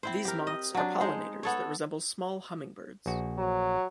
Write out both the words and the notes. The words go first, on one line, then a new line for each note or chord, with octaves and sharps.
These moths are pollinators that resemble small hummingbirds.
C4 E4 C5
G4 A#4
D#5
F#3 D4
G#3 D#4 C5
B3 A4 C#5
A#1 F#4
F#3